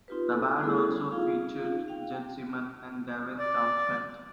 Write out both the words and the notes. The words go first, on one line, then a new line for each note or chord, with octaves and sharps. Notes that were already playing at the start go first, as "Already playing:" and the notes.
The band also featured Jed Simon and Devin Townsend.
C4 D#4 F4 G4 B4
B3 F#4 A4 G#5
G3 A3 B3 E4 G#4 A4
D#4 F4 G#4 F5
F5 G5
D5